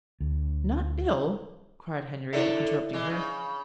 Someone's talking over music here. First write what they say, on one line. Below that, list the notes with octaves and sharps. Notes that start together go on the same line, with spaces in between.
"Not ill?" cried Henriette, interrupting her.
D2
D#2 D3 E4 A4 D5 E5
E3 G#3
C#3